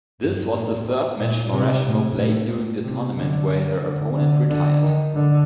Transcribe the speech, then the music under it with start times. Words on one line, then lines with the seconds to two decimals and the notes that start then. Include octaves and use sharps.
This was the third match Mauresmo played during the tournament where her opponent retired.
0.22 G2
0.54 A2
1.19 A#2
1.53 C3
1.86 A2
2.18 A2
2.52 A2
2.84 C3
3.16 D3
3.82 D3
4.16 D3
4.49 D3
4.82 D#3
5.15 D3